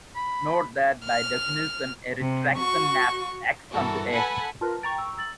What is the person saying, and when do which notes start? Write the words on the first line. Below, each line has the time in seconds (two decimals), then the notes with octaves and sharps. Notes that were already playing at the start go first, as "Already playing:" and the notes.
Note that, by definition, a retraction maps "X" onto "A".
0.16 B5
1.05 F6
2.19 C3
2.55 F#4 C#6
3.72 G2 E3 F#4 A4 A#4
4.11 A4 B4 F#5 G#5 B5
4.61 F4 A#4 B4 A5
4.83 G5 A#5 C#6 A6
4.98 E6
5.17 E6 A6 F#7